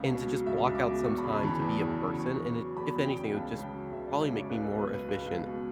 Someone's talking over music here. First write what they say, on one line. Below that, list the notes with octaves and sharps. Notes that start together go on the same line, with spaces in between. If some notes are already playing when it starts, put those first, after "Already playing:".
and to just block out some time to be a person, and it, if anything, it would just probably make me more efficient
Already playing: C#2 C#3
B2
F#3
C#2 E5
C#2
D6
B2
E2 C#6
B5
C#3
A5
E3 B5
E2
E2
C#3
E2 C#6
C#3
F#3
E2 B5
E2
G5
C#3
C#2 A5
C#3
G5
F#3
C#2 E5
C#2 D5
C#5
C#3 D5
C#2 B4
A4
B2
B4
F#3
B4
C#2
C#2
B2